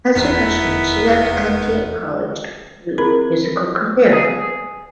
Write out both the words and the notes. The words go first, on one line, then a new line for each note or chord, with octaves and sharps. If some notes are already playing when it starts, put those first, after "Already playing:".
As a freshman, she left Antioch College to pursue a musical career.
F1 E2 D#3 G#3 B3 E4 B6
C4 E4 G#4 A#4 B5
G#4